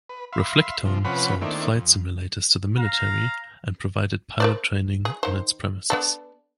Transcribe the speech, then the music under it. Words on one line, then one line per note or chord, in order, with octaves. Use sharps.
Reflectone sold flight simulators to the military and provided pilot training on its premises.
B4
E5 F5 B5 C6
C3 F3
C3 F3 C#4 B4 F#5 B5
D#3 A3 A#3 C4 D4 E4
F2
F5 A#5
A#4 C5 D5
G#4
D#3 C5
B3 D4 A4